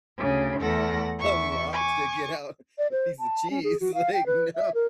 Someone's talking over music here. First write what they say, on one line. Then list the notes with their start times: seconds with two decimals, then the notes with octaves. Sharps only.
unlocked to get out a piece of cheese," like, "No."
0.18 D2 C#3
0.60 E2 A3 A4 F#5 A#6
1.20 E2 E5 C#6
1.73 G#5 C#6 D6
2.78 D5
2.92 C5
3.20 A5
3.50 C#4
3.64 G#4
3.80 F#4
3.94 F5
4.13 G5
4.26 B4
4.56 E5
4.74 A#4